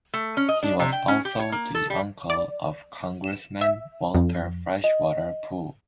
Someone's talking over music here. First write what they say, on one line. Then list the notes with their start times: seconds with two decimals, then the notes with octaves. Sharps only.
He was also the uncle of Congressman Walter Freshwater Pool.
0.14 A3
0.37 C#4
0.49 D#5
0.63 D4
0.80 C3
0.92 G5
1.08 C#4
1.25 G4
1.39 C#5
1.52 A#3
1.75 A4
1.90 G3
2.30 D5
3.24 E7
3.61 E5
4.15 F2
4.84 D#5